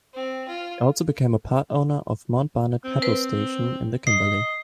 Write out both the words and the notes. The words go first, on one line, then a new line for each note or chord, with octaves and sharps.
He also became a part owner of Mount Barnett cattle station in the Kimberley.
C4
F4
C4
B4 C5
D#5 C7